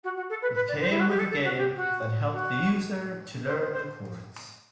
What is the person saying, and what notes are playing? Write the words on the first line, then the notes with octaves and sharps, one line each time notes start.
It came with a game that helped the user to learn the chords.
F#4
F#4
A4
B4
B4
D5
C5
E4
F#4
G4
A4
A4
F#4
G4
F#4
F#4
C5
C5
C5